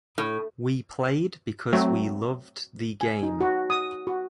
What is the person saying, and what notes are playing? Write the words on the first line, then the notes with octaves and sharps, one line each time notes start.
We played because we loved the game.
A2
F#3 A3 C4 F#4
G#5
D#4
F#4
D#6
F#4